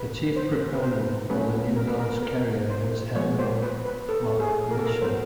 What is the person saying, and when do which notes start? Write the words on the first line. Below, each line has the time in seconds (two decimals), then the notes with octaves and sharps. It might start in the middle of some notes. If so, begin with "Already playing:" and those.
The chief proponent for the new large carrier was Admiral Marc Mitscher.
Already playing: B4
0.36 C5
0.75 B4
0.83 C5
1.30 C#3 F#3 A3 C#4 B4
1.76 A#4
1.88 B4
1.99 A#4
2.23 A#4
2.70 C5
3.15 F3 G#3 B3 C#5
3.39 C5
3.62 B4
3.85 B4
4.09 A4
4.28 A4
4.40 G#4
4.71 A#4
4.79 A4
4.86 A#4
5.02 F#3 B3 C5